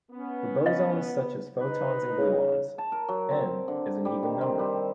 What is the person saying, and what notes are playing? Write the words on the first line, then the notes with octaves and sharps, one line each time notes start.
For bosons, such as photons and gluons, "n" is an even number.
B3 C#4
D#5 F5
D#4 B4
C#3
A5
A#4
F#3
C4
D3
G3
D#3
C4
G3